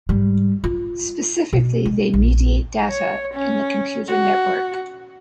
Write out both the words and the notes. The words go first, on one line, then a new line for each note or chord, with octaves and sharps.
Specifically, they mediate data in a computer network.
G#2 G3
F4
B2
G#3
A#1
C#5
C#4
F#4